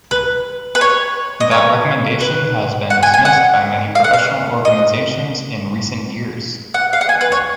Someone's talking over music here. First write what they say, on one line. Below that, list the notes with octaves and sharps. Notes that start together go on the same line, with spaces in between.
That recommendation has been dismissed by many professional organizations in recent years.
B4
B4
C#5
D#5
C#5
B4
F#5
G#5
G#5
F#5
F5
F#5
F5
D#5
F#5
F5
F#5
G#5
B4
C#5